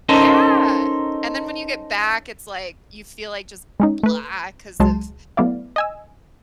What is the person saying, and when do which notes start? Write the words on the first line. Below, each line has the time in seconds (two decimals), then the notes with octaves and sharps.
Yeah. And then when you get back, it's, like, you feel, like, just blah 'cause of
0.09 C#4 D#4 A4 A#4 C5
3.80 G#3 C#4 D#4
4.03 A3 B4
4.80 C#2 F#3 G#3 A5 C6
5.37 F#3 A3 B3 E4 D5 F5
5.76 D#5 G#5 E6